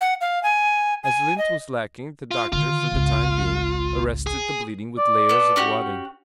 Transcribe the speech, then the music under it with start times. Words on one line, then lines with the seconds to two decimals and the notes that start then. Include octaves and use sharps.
As lint was lacking, the doctor, for the time being, arrested the bleeding with layers of wadding.
0.01 F#5
0.21 F5
0.43 G#5
1.04 G#5
1.38 D#5
2.31 F4
2.52 D3 D#3 F4
2.92 G#1 C#2
4.27 G#4
4.98 D5
5.29 B3 A4
5.56 C#4 F#4 G4